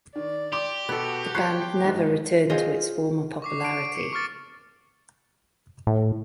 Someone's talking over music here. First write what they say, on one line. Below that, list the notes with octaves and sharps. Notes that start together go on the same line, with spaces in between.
The band never returned to its former popularity.
D#3 D5
G4 C6 D6
B2 B3 F#4 A4 F#6
F3 C#5 F#6 B6 C7
G1 G#2 G#3
F4 G#4 C5 D#5
C#6 D6 C7
C7 D7
D7
C#7
C#6 D6 F6 A6 C#7
A2